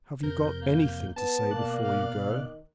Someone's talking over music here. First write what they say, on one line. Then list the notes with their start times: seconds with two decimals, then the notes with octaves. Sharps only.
"Have you got anything to say before you go?"
0.23 F2 C3 A#4 G6
0.62 A#3
1.16 B3 A5
1.51 B2 A#3 D5 F#6
1.85 F5
2.23 D#3